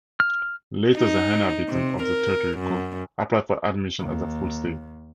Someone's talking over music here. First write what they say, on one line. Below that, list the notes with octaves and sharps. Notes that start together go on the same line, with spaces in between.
Later, the inhabitants of the territory could apply for admission as a full state.
F6
D#4
C3
A#4
F#2
D#2